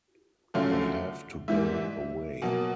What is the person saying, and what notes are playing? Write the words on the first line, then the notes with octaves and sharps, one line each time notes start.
They have to go away.
F#2 D3 F3 A3 C#4 F5
G#2 E3 G3 A#3 E5
B2 F#3 A#3